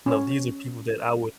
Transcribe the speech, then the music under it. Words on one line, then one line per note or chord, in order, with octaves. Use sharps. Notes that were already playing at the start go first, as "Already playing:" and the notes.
no, these are people that I would
C#4